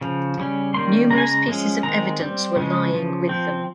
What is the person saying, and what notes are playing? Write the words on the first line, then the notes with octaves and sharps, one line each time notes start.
Numerous pieces of evidence were lying with them.
C#3 F3
C#3 G3 C#4
D#3 G3 A#3 C#4 C6
C#3 G#3 C#4 A#5
G#5
A#5
F3 G#3 C#4
D#3 G#3 C4 A#5
G3 C4
C#3 F3 G#3
C#3 F3
F3 C4